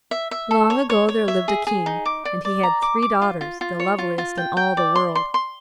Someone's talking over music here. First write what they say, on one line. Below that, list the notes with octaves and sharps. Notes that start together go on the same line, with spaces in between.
Long ago there lived a King, and he had three daughters, the loveliest in all the world.
E5
E5
A4
C#5
C#5
C#5
E5
G#4
G#4
D#4
D6
D5
D5
A#5
D6
D6
F4
F4
F4
C#5
F4
F4
G5
G5
D5
C6
C6
C6